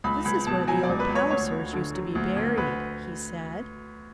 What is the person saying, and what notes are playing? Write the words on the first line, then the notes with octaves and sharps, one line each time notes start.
"This is where the old Pallisers used to be buried," he said.
C#2 B5
C#2 B5
B2 A5
F#3 G#5
D5
C#2
B4
C#2
C#5
D2 C#5
D2
D3
F#3
D2
D2
D2 B4